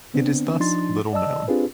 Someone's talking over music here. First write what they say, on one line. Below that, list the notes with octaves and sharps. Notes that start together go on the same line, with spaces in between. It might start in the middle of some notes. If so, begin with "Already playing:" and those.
It is thus little-known.
D3 B3 C4 D4
F3 D4 D#4 C6 A6
D5 D#5 A5 E6
C4 D4 F4 G4 G#4 B4